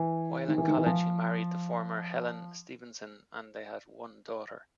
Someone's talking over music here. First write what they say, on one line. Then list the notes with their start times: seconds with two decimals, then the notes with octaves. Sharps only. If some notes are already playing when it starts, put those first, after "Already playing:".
While in college he married the former Helen Stephenson, and they had one daughter.
Already playing: E3
0.48 D#3
0.58 E3
0.68 D#3
0.77 E3
0.86 F3